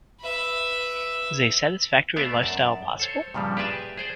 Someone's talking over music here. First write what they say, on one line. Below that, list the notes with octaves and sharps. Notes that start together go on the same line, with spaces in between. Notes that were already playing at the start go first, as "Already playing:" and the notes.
Is a satisfactory life-style possible?
B4 E5
A3 B3 D5 E5 F5
F#2 D5 A5
A4 C5 C#5
G2 A#2 C#3 F3 G3
G4 G#4 B4 D5 E5 A5
G#4 C5 D5